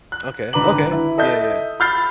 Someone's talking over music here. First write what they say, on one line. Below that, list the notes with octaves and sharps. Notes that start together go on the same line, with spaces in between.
Okay, okay. Yeah, yeah.
F#6
G#1 D3 B4 A#5 D6 F#7
E4
A4 D#5 E5 G6
B5 E6 F6 G6 A6 C7